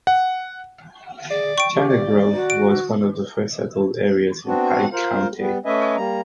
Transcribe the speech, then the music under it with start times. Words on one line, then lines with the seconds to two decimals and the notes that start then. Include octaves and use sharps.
China Grove was one of the first settled areas in Pike County.
0.07 F#5
1.30 G#4 D5
1.58 G5 C#6 D7
1.75 G4
1.90 D5
2.34 F#4
2.50 D7
4.46 B3 C4 D4 F#4
4.92 F4 A#4 C5
5.38 G3 B3
5.65 A3 C#4 B4 D#5 E5 G#5
5.96 G3 A#3 A#5